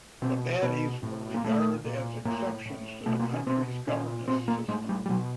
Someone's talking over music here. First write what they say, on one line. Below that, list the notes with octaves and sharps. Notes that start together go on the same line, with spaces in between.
The bateys were regarded as exceptions to the country's governance system.
B2 C4
B2 B3
A2
A#3
A#2 A3
A#2
A2 A#3
A2
B2 A3
A#3
C#4
B2 C4
A#2 C#4
A#2 C4
A#3
A2 G#3
G3
G3
B2 F#3